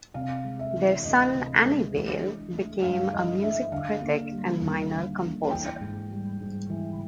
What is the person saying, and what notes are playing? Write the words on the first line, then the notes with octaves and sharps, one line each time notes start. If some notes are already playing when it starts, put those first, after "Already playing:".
Their son Annibale became a music critic and minor composer.
C3 F5
G#3
E5
E3
D2 D#5
C3
G#3
E3
D4
A3
G2 F5
E3 D#5
D4 E5
D3 F5
A#3
G3
D#2
D3
A#3
E3 G5
G#2
G3
G#2
E3